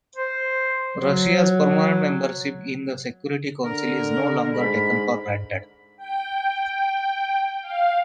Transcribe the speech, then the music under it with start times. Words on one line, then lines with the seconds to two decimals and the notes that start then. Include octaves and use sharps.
Russia's permanent membership in the Security Council is no longer taken for granted.
0.16 C5
0.97 F#3
3.65 D3 A#4
4.54 G#2 B5
5.97 G5
7.62 F5